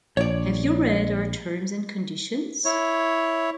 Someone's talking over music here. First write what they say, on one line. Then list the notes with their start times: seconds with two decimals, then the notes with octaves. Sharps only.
Have you read our terms and conditions?
0.17 A#1 C#5 D5
2.65 E4 C#5